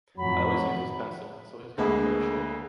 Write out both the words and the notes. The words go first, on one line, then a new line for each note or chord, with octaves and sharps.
I always use this pencil, so it has gotten quite short.
F2 A2 D#3 F#3 B5
D2 G#3 A#3 G#4 B5